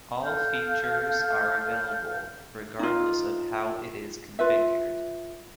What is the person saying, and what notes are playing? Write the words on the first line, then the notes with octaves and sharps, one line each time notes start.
All features are available regardless of how it is configured.
A4 F5 F6 G6
D#4 F4
F4 B4 E5